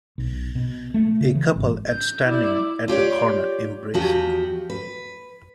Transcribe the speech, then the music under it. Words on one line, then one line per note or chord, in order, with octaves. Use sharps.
A couple at standing at the corner embracing.
B1
B2
A3
C#3
E3
G#1
G6
E4 D5
F4 G4 C#5 D5
E2 F3 F#4 G4
B4